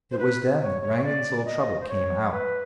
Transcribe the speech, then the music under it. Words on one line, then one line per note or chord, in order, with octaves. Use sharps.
It was then that Rangon's little trouble came out....
C5
B4
C#5
C#5
C#5
D5
D#5
C5
C#5
B4